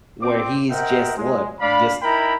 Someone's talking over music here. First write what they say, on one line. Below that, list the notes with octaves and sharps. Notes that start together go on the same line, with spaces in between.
where he's, just look, just,
C4 D6
A#4 C5 D#5 E5 F#5 G5
G#3
D4 D5 F5 B5
D#4 E4 A#4 G5 A#5 B5